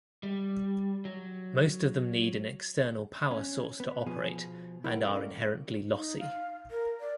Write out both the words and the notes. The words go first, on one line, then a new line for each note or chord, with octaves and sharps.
Most of them need an external power source to operate and are inherently lossy.
G3
F#3
C#4
B3
B2 F3 G#4
E4 A#4 F#5 G5
C#4 A4 A#4 D5 D#5 F5
D#4
F5
A#4
D5